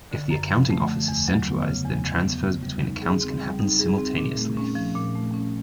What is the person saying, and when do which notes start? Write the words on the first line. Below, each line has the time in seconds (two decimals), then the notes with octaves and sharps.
If the accounting office is centralised, then transfers between accounts can happen simultaneously.
0.11 D3
0.31 F#2
0.50 F3
0.70 A3
0.89 D3
1.08 E2
1.28 F#3
1.48 B3
1.67 C#3
1.85 E2
2.05 F#3
2.24 B3
2.44 C#3
2.63 G3
2.82 D#4
3.02 G#4
3.21 C4
3.41 G3
3.59 D#4
3.79 G#4
3.98 C4
4.18 A#2
4.37 A3
4.57 C#4
4.75 F3
4.95 A#2
5.15 A3
5.34 C#4